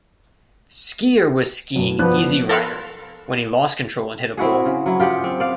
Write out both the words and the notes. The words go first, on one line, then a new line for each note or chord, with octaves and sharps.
Skier was skiing Easy Rider when he lost control and hit a pole.
F#2 B2 F#3
F3 B3 D5 F#5 F#6
A4 A#4 F5 B5 C6 F#6
C4 E4 F#4 G#4
C#3
F#3 E4
F4 G4 G#4 F#5
C4
D5 F5